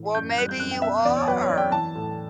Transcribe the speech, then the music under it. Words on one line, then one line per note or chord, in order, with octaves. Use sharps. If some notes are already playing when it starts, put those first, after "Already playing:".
Well, maybe you are.
Already playing: A2 E3
F#2 G6
G3 F#6
G6
F#2 F#6
G5
B2 E5
E2 D5
C#5
F#3 B4
C#5
E2
G5
E3 A5
A2